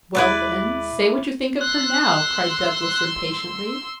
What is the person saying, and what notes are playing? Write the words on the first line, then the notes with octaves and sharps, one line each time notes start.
"Well, then, say what you think of her now," cried Douglas impatiently.
D#2 B2 G#3 E4 B4 D5
C6 E6 F#6